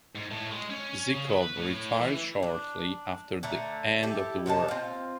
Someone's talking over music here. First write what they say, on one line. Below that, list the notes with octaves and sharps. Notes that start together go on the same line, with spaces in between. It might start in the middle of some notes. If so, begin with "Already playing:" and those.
Zykov retired shortly after the end of the war.
G#2
A2
G#3
C#4
C#3
B4
A2
E3
D4
D3 A3 A#5
E4 G4 A4
C3 D#4 B4 A5
C4 F4